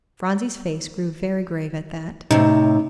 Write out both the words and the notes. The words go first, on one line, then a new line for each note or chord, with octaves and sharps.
Phronsie's face grew very grave at that.
A2 C3 D#4